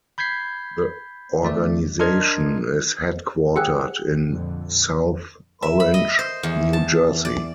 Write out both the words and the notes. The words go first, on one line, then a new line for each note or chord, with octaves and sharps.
The organization is headquartered in South Orange, New Jersey.
B5 G6 G#6 B6 C7
D#3 A3 D5
D4 A#4 D#5 C6 F6 G#6
G4 G#4 F#5 E6 F#6
F2 A#2 D3
E5
B5
D#5
C5
E2
A5
D5